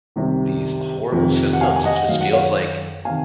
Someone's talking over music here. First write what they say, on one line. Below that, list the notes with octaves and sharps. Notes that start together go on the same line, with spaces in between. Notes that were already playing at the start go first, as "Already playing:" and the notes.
these horrible symptoms, it just feels like,
C2 C3 D#3
F2 C3 D#3
F#5
F5 G#5
G#5
D#5 F#5
F#2 D#3 F5
F#5
C#5 F5
C3 D#3 F5 G#5